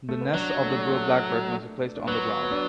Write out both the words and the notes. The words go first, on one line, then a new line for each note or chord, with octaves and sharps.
The nests of the brewer blackbird must be placed on the ground.
A3
B3
F#3 D4
A3
A3
D4
F#3 B3
B3
D4